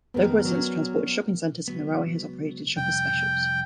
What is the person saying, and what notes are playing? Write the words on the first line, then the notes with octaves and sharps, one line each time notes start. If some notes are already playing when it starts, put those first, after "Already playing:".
Local residents are transported to shopping centres and the railway has operated 'shoppers specials'.
F2 D#3 B3 A#4
F#3 C#4 D4
C#2 F#3 B3
C2 F2 G5